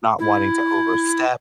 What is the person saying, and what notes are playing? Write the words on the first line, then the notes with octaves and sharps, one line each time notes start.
not wanting to overstep,
E4